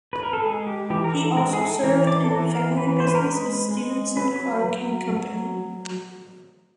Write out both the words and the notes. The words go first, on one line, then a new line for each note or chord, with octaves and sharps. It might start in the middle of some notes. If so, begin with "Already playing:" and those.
He also served in the family business of Stephenson Clarke and Company.
B4
A#4
A4
G#3 G#4
G4
E3 G4
A#4
A4
G#3 A#4
G#4
A4
E3 A#4
D5
A4
E3 A#4
A#4
E3 B4
C5
B4
A#4
G#3 B4
G#3
F#3 B4
F#3
F#3